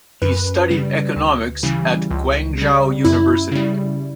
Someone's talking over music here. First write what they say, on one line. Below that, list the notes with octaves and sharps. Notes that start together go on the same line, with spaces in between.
He studied economics at Guangzhou University.
F#2 B4
C#3 G3
D2
C#3 E3 G3
C#2
C#3 G3
F#2 E4
C#3 G3